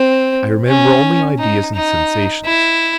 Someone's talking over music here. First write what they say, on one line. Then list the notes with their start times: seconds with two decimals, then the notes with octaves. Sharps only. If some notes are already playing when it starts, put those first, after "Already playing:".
I remember only ideas and sensations.
Already playing: C4
0.67 C#4
1.39 D#4
1.74 D#4
2.45 E4